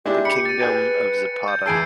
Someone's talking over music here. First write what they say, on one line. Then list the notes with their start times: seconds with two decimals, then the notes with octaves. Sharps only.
"The Kingdom of Zapata".
0.06 G#3 D4 E4 G4
0.25 B5 C#7
0.46 A6 D#7
0.61 G4 G#4 B4 G5
1.48 G6
1.66 E2 G#4 G#5 A5 E6 C7 D7